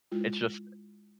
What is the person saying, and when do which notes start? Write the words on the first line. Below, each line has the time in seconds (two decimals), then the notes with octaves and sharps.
it's just
0.12 G#3 E4 F4